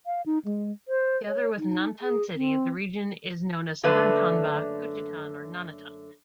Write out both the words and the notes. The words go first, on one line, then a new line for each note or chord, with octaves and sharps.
Together with Nantan city, the region is known as Southern Tanba, Kuchitan or Nanatan.
F5
D#4
G#3
C5
C#5
D#4
G#4
C4
F#2 D3 A3 A#3 D4 B4